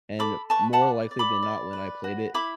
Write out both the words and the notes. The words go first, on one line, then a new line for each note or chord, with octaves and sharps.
and more likely than not when I played it,
A4 B5 D6
B4 A5 C#6
F#5 A5
D5
D5
B5 D6
D5
B4
F#4
E4 B5 D6